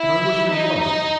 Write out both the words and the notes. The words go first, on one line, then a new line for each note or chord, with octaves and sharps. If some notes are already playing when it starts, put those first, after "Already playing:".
And I wish him luck.
Already playing: E4
D#4
D#4